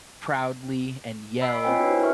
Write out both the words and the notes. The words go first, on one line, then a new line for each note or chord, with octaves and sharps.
proudly and yell,
D#5 B5 E6 B6 C7 D7
C4 F4 C5 C#5 G5 G#5
D4 E4 F#4 B4
A#4 B4 E5 C#6 F6